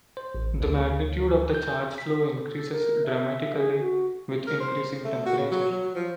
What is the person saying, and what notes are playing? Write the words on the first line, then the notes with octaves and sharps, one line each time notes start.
The magnitude of the charge flow increases dramatically with increasing temperature.
C5
A1
D2
G6
B6
A4
A#4
E5
G#4
F#4
A#4
C5
A3
F#4
C#3
F#3
F#3
F3